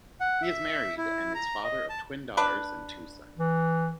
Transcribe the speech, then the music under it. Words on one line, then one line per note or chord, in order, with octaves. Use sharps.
He is married and is father of twin daughters and two sons.
F#5
E5
E4
A#5
D#5
A5
D4 B4
E3